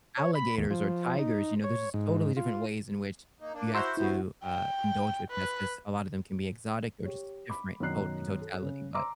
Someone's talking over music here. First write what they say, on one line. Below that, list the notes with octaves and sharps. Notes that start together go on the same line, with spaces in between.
alligators or tigers, you know, there's just totally different ways in which you have to, uh, indulge with pets 'cause a lotta them can be exotic or just different tot in totality, but,
C#5
B5
D#2
F3
D#4
C#5
G#2
F4
A#3 D#4
A#3 D4
E4 F#4 C5 A#5 C6 E6
B3 E4 F#4 C5
G5
B4
G4 C#5
B5 D6
F#2 B2 D#3 A#5 F#6 C7
A4
C#3
A#5 C6 D6 E6